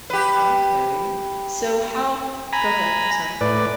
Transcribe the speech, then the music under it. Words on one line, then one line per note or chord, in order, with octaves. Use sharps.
Okay. So, how go ahead, I'm sorry.
G4 B4
G#5 A#5 B5
A2 B4 D5